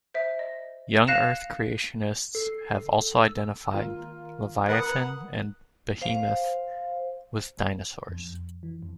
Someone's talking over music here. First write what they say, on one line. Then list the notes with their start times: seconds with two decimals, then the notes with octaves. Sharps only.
Young Earth Creationists have also identified Leviathan and Behemoth with dinosaurs.
0.14 C5 E5
0.39 D#5
1.07 F5 F#6 A#6 C#7 E7 F7
2.35 A4 C7
3.26 E6
3.74 D#3 A#3 F4
4.68 A#4 B4 F#5 A#5 D#6
6.01 C5 F5
8.08 F2
8.63 E3
8.83 F2